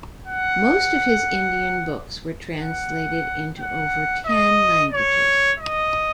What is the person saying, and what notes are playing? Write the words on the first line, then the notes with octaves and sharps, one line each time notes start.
Most of his Indian books were translated into over ten languages.
F#5
F#5
F#5
D#5
C#5
D#5